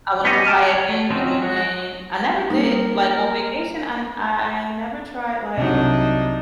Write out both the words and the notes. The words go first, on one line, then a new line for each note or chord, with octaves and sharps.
I wanna do kayaking, canoeing I never did like, on vacation I n I never tried, like,
B3 C#4 G4 C#5 D#5
G4 G5 A5 F6
C#5
A3
F3 F#3 C4 C#4 D#4
G#3 F#4
G3 A#3 D#4 A#4
C2 F#3 D4 D#4